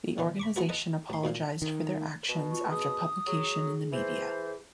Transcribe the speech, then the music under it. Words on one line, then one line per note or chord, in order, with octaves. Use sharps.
The organization apologized for their actions after publication in the media.
D3 D#3 B3
B5 C#6 D6
A3 B3 E4 F#4 A4 B4
A4 B4 D#5
A1 C6
D2 A#2 F5
D#3
B2
F4 C#6
G#4 D#6
F#3 G#4
E3 C5